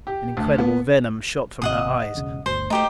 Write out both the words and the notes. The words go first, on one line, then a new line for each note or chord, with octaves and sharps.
An incredible venom shot from her eyes.
G4
D2
B3
G#1 C3 D#5 F#5 D#6
E1 C#3
G1 D2 C5
A3 D#4 G4 C5